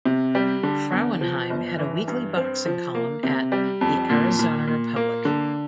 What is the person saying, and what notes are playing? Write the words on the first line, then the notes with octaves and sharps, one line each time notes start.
Frauenheim had a weekly boxing column at "The Arizona Republic".
C3
G3
D3
E2
F3
G1
E3
G2
C4
F3
A#3
C3
G3
F2
A#2
A#2
A#2
A#3
D3